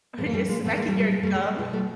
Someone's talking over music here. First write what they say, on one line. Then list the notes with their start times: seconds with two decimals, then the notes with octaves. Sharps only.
or you're smacking your gum,
0.18 A2 E3 G#3
0.26 A#3
0.33 G3 A3
0.49 G#3 A#3
0.64 A2 E3 A3 B3
0.76 G#3 A#3
0.88 G3 A3
1.00 G3
1.11 B2 G#3
1.23 G3 A3
1.35 G#3
1.58 B2 G#3
1.73 G3 A3